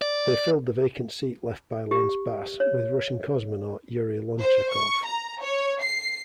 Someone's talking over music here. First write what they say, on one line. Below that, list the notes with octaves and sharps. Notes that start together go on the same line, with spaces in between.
They filled the vacant seat left by Lance Bass with Russian cosmonaut Yuri Lonchakov.
D5
G4
C#5
C5
C#6
A#5
C#5
C7